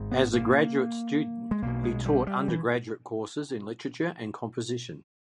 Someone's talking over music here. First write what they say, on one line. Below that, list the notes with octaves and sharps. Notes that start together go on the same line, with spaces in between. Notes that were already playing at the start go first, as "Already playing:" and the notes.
As a graduate student, he taught undergraduate courses in literature and composition.
Already playing: G#1 G#2
B3
A#3
G#3
B1 B2 A#3
G#3
G3
G3
E3